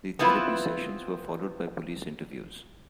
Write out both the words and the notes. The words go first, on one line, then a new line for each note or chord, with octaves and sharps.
The therapy sessions were followed by police interviews.
B3 C4 E4 F4 B4